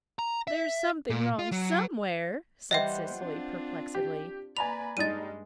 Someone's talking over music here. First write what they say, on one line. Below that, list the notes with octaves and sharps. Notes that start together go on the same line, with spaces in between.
"There's something wrong somewhere," said Cecily perplexedly.
A#5
E5
A#2
F4
F#3
E3 G3 C5 D#5 E5 F#5 G5
C4 D4 F4
G4
A#3 B4 D5 G#5 A#5 B5 F7
G2 G3 G#3 D4 D#4 A6 D#7